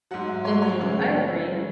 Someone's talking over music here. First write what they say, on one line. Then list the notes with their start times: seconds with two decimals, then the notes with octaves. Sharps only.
Mhm. I agree.
0.11 G#2 F#3 F#5
0.28 E5
0.45 C#5
0.62 C#5
0.79 F#2 C#3 E3 G#3
1.52 G#3